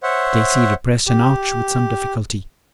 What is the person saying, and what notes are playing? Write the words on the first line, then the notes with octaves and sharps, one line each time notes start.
Stacy repressed an "ouch" with some difficulty.
C5 C#5 E5 F#5
G4